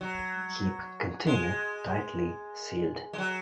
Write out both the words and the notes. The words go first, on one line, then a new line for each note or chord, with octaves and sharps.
Keep container tightly sealed.
F#3
G#3
G#3
F#3